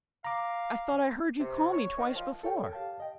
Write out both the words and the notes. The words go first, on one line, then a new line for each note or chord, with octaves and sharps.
I thought I heard you call me twice before!'
F5 A#5 D6
C3
C#5
D#3
F3
A4 A#4 C#5 G5
G4 F5 A5
D#5 G5